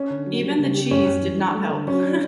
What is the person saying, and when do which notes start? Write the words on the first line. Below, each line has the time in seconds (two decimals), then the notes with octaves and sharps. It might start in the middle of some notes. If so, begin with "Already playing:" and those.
Even the cheese did not help.
Already playing: C#4
0.10 D3
0.27 F#3
0.42 G3
0.59 C#3
0.74 G4
0.91 F#2 C#4
1.06 F#2
1.22 E3
1.39 D4
1.55 A3
1.71 D3
1.87 F#3 C#4
2.04 D4